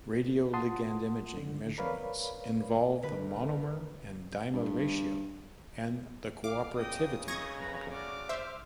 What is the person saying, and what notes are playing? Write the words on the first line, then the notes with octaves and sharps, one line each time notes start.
Radioligand imaging measurements involve the monomer and dimer ratio, and the 'cooperativity' model.
F4 F#5 A5 C6 D#6
C#2 D3
A#4 B4 C#5 D5 F5 B5
C#2 D3 A3 D4 A#4 B4
G2
F5 D6
C#3 D4 D#5 G5 D#6
D#4 E4 D#5 C#6 D#6 G#6 A#6
B4 A#5
A3 F#4 D5 D6 F6
C5 E5